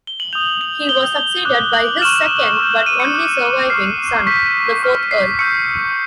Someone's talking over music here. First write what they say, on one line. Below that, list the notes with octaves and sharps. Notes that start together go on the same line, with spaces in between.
He was succeeded by his second but only surviving son, the fourth Earl.
G7
F#7
D#6 G6 F7
F#7
D#6 G6 G7
D6 F#6
F#7
C#6 F6 E7
E7
C#6 E6 G6
D#7
C#7
D6 F#6
C#6 F6 C7
C#6 E6 G6 B6
C#6 F6
C7
C#6 E6 G6 C#7